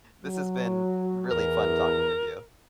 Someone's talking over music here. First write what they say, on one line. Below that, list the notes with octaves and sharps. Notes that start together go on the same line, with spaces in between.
this has been really fun talking with you.
F#3
E2 A#4